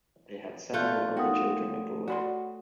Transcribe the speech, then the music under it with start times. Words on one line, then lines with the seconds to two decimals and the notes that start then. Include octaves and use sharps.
They had several other children abroad.
0.74 A3 B3 F4 D5 A5 F#6 G6
1.17 B3 D#4 F#4 A#4 G5 D#6
2.08 F#4 C#5 D5 G#5 B5 C6